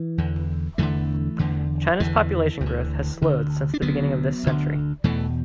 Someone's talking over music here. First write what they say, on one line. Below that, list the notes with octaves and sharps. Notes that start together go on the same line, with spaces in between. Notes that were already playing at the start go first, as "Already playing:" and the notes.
China's population growth has slowed since the beginning of this century.
Already playing: E3
E2 D3
E2 D3 E3 A3
E2 D3
E2 D3 E3
D2
D3
D2 D3
D4
D2 D3 F#3 B3
D2 D3
E2 B2 E3 A3